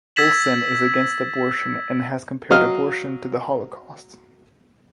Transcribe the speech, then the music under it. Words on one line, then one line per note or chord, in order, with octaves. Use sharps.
Olsen is against abortion and has compared abortion to the Holocaust.
E6 G#6 A6 B6 E7 F#7
F#3 D#5 F5 F6